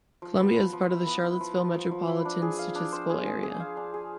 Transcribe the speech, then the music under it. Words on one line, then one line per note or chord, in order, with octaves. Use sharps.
Columbia is part of the Charlottesville Metropolitan Statistical Area.
F3
B3
F3
F3
E4
B3
E4
F3
F3
F3
F3
E4
D4
G#4
F5
D4
C5
G#4
G#4
G#4
F5
D4
G#4